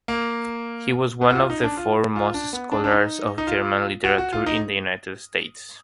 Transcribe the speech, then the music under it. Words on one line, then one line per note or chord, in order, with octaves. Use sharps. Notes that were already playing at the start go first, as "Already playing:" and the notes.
He was one of the foremost scholars of German literature in the United States.
A#3
B3
F#4
F4
D#4
D4
F4
F4
D4
B3
D4
D4
D#4
D#4
F4
F#4
F#4
F4
D#4